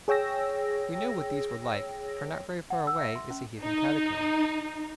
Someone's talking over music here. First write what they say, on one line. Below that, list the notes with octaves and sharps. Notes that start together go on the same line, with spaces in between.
We know what these were like, for not very far away is a heathen catacomb.
G#4 C#5 G5 E6 A#6
F#5
E6
E5
C6
C#4
D#4